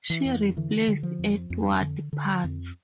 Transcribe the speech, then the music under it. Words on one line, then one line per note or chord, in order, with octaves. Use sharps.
She replaced Eduard Parts.
E3
F2
D3 E3
D3
F3
F2
F2
D3
D3
F2